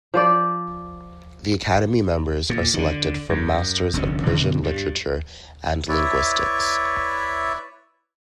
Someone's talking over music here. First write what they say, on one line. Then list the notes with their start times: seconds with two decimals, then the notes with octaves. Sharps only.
The academy members are selected from masters of Persian literature and linguistics.
0.14 F3 C5 D5
2.50 A#2
2.74 D3 D#3
3.29 F#2
3.94 F1 D2 B2 C#4
4.26 B2 D3
4.63 G2
5.88 E4 B4 C#5 D5 E5